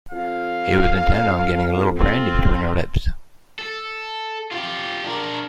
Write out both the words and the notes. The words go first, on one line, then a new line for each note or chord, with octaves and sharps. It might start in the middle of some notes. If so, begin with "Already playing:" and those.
He was intent on getting a little brandy between her lips.
F2 F5
C4 F4
A4
F4 G4
D4 A#4